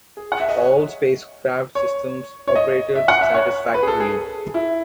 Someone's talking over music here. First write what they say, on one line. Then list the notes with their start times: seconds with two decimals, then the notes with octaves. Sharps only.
All spacecraft systems operated satisfactorily.
0.17 G#4
0.32 F#5
0.40 E5
0.49 D#5
0.57 C#5
1.75 C#5
2.48 C#5
2.55 D#5
2.95 E5
3.08 F#5
3.21 E5
3.34 C#5
3.74 B4
3.83 G#4
3.88 A4
4.00 G#4
4.54 E4